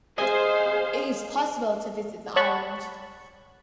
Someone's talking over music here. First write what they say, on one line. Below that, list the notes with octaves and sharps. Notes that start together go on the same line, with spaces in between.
It is possible to visit the island.
G#4 C5 D#5 F5 G#5
C#5 F#5 A5 B5 C#6